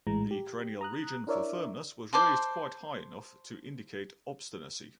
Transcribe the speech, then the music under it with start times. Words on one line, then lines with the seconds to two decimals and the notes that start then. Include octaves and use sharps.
The cranial region for firmness was raised quite high enough to indicate obstinacy.
0.07 A#1 A2 E3 G#3 A#5
0.31 G4
0.81 A#5 D#6 F#6
1.27 D4 E4 A#4 C#5 D5 E5
2.13 C5 D5 A5 C6